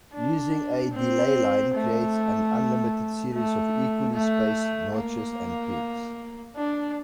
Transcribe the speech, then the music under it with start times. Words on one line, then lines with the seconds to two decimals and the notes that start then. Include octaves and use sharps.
Using a delay line creates an unlimited series of equally spaced notches and peaks.
0.14 D4
0.93 C4
1.74 A3
3.34 A3
4.14 A3
4.95 A#3
6.56 D4